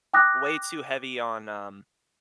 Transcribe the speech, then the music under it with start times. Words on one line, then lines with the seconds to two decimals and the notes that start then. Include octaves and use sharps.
way too heavy on, um,
0.14 G5 D6 D#6 F#6 A#6